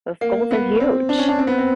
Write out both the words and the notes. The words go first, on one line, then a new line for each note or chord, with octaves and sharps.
Those goals are huge.
A#3
B3
C4
D4
C#4
D4
C4
B3
C4